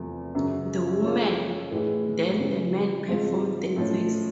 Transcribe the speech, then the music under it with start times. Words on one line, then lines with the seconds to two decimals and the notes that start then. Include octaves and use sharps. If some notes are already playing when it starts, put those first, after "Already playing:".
The women, then the men, perform dances.
Already playing: E2 C3 F3 A3
0.35 F#2 C#3 F#3
1.03 G#3 C#4 F4 A4
1.71 A2 E3 G#3
2.40 C#3 E3 G3
3.08 G#2 F3 G#3 C4 F4
3.76 A2 F3 A3 C#4